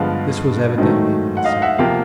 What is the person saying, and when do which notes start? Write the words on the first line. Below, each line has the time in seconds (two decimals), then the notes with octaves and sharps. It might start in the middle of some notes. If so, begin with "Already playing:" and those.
This was evidently the basilica.
Already playing: G2 D3 F3 G#3 B3 F5
0.78 G#2 D#3 F#3 A3
1.37 F#5
1.44 D#5 F5
1.62 E5 F#5
1.78 C3 F3 A#3 F5 G5